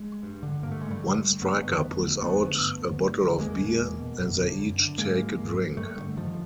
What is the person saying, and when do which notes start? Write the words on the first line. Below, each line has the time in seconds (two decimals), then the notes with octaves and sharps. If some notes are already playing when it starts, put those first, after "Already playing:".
One striker pulls out a bottle of beer, and they each take a drink.
Already playing: G#3
0.23 G2
0.43 D3
0.63 G2 A#3
0.72 A3
0.81 D3 G#3
0.90 G3 A3
1.02 G2
1.23 D3
1.41 G2 A3 B3
1.61 D3
1.82 F2
2.01 D3
2.21 F2 A3 B3
2.40 D3
2.60 G2
2.81 D3
3.00 G2
3.20 D3
3.39 E2 G#3 A#3
3.60 B2
3.79 E2
3.99 B2
4.19 F#2
4.39 D3
4.59 F#2
4.79 D3
4.98 G#2 G#3 A#3
5.38 G#2
5.77 G2 G3 A3
5.97 D3
6.17 G2 D#3 F3